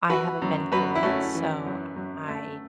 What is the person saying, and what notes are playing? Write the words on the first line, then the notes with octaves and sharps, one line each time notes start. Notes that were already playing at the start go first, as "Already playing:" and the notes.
I haven't been through it, so I
E3 F#4 B4
F#2
F#2 F#4 B4
E4
A3 C#4 F#4
E3
F#2
F#2
A3